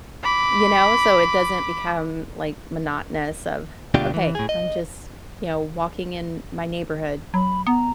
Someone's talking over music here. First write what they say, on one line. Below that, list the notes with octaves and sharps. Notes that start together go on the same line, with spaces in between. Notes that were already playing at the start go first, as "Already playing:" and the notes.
You know, so it doesn't become, like, monotonous of, "Okay, I'm just," you know, "walking in my neighborhood
B5 D6
D2 B2 D4 F4 G4
E3
A2 G#4
D#5
F#3 B5
B3 A#5